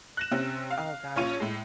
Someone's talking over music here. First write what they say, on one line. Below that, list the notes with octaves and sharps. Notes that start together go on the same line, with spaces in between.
Oh gosh.
F#6 A#6 E7
C3 C4 C#4
F5
A#1 C#4 F4 C#5 D#7
A2 G#3